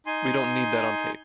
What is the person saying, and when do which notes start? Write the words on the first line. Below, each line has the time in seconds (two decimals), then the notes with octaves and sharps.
We don't need that on tape!
0.06 D#4 G#5 C6